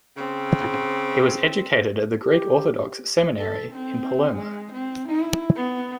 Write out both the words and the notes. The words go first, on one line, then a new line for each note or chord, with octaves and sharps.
He was educated at the Greek Orthodox seminary in Palermo.
C#3 C4
G4
A4
C4
G#3
C4
E4
B3